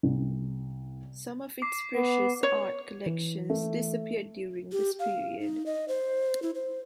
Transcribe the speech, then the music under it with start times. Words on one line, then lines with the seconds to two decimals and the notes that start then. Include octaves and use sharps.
Some of its precious art collections disappeared during this period.
0.03 C2
1.62 D6 C7
1.94 B3
2.43 C#5
3.06 E3
3.50 A3
4.72 G4
4.99 F5
5.39 D#4
5.66 D#5
5.88 C5
6.42 E4
6.55 C5